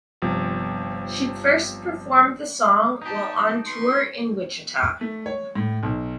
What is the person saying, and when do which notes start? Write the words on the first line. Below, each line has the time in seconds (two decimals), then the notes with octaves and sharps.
She first performed the song while on tour in Wichita.
0.22 G1 C3 F3
3.02 D#4 G4 F#5 A5
3.66 B4 C6 C#6
5.01 A3
5.26 C#5
5.55 A2
5.83 B1